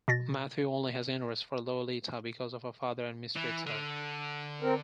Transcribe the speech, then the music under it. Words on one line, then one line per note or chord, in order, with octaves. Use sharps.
Mathieu only has interest for Lolita because of her father and mistreats her.
B2 A6 A#6
E3
D3
C4 A#4